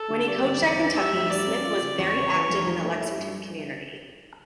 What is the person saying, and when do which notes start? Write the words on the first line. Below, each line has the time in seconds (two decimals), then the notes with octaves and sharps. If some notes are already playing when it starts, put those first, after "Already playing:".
When he coached at Kentucky, Smith was very active in the Lexington community.
Already playing: A4
0.10 D3
0.27 G3 D5
0.45 G1
0.62 E2
0.78 E3
0.96 G3 E5
1.12 F1
1.30 G3 D5
1.47 C#4
1.65 F4
1.82 C#3
1.98 E2 C#5
2.15 C#3
2.33 E3
2.50 F1
2.67 F3
2.84 A3
3.00 E4
3.18 G2